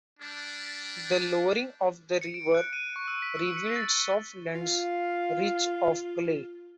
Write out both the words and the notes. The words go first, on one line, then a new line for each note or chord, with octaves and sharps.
The lowering of the river revealed soft lands rich of clay.
G3 D4
C#7
D7
F#6
D#7
C#6
E6
B6
E6
C#7
A6
G7
F4 F5